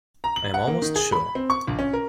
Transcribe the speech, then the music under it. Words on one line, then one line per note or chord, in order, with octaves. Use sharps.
I am almost sure.
A#5
F#7
F#5
A#3
D#3
G#4
B5
C4
C#6
A#1
C#4
A#4